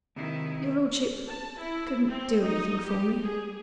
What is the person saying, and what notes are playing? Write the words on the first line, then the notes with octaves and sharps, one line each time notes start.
Your Lordship couldn't do anything for me?
D#2 C3 D#3 E4
A5
E4
C4
D#4
G4
G#4